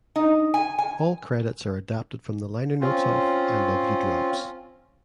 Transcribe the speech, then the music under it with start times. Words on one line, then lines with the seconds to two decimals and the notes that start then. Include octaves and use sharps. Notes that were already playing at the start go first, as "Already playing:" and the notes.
All credits are adapted from the liner notes of "I Love You Drops".
0.16 D#4
0.54 G#5
0.79 G#5
2.81 C4 C#4 F4